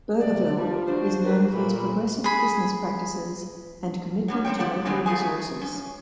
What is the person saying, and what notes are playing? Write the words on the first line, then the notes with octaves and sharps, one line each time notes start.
Burgerville is known for its progressive business practices and commitment to local resources.
C3 D5
F3 G3
D4 F#4 C5
A#4 B4
A#2 A3 A#3 B5
G#4 B5
F#3 G3 C#4
C4 C5 C#5 G5
F3 G4 A4 F#5
D3 E3 F#3 G#3 B3 C4
F3 A3 G#4 G#5
C#4